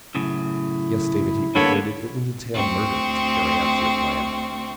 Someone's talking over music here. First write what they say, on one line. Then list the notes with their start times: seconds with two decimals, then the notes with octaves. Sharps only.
"Yes, David," he concluded, "it would entail murder to carry out your plan."
0.15 F#2 A2 C#3 E4
1.55 D3 G3 A#3 B3 A4 C#5 B5
2.53 D2 C4 C#6